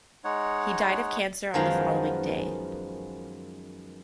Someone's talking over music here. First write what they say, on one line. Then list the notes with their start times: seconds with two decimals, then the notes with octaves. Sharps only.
He died of cancer on the following day.
0.24 G#3 D#4 C#5 F#5
1.54 F#2 D#3 F3 G#3 B3 F5